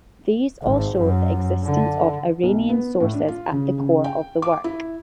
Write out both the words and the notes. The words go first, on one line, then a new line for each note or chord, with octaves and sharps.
These all show "the existence of Iranian sources at the core of the work".
G#1
F#2
D3
B1
B3
A2
D4
F4
C#3
C#3
G5
D6
E4